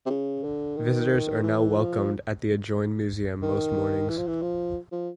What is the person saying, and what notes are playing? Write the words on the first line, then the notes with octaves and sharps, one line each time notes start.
Visitors are now welcomed at the adjoined museum most mornings.
C3
C#3
D3
D#3
E3
F3
D#3
E3
F3
E3
F3
F3